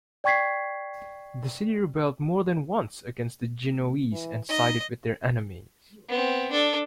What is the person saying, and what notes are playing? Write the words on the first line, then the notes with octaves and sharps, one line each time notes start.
The city rebelled more than once against the Genoese and sided with their enemies.
D5 G5 C#6 G#6 B6 C7
E3
D#4 D#5
B3 C4
D4 A4